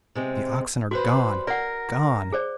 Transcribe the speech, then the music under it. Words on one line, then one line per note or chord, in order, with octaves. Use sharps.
The oxen are--gone--gone!'
C3 G#3 C4
G3 F#4 B4 C5
A#4 D5 F#5
G#4 C5 D5